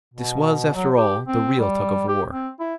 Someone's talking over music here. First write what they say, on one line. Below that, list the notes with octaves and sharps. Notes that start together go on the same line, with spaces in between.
This was, after all, the real tug of war.
B2
F#3
G4
C4
G3
G4
C4
E4